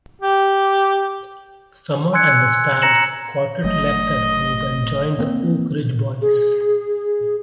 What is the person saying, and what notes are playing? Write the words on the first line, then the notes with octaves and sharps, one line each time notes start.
Sumner and the Stamps Quartet left that group and joined the Oak Ridge Boys.
G4
G#5 C6 E6 F#6 G#6 C#7
A#5 A#6 C#7 E7 F#7
G1 F#3 A3 D#5
A#3 C4
G#4